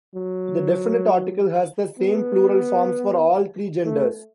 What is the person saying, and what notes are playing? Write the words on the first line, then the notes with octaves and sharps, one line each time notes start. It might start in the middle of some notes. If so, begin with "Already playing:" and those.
The definite article has the same plural forms for all three genders.
F#3
B3
A3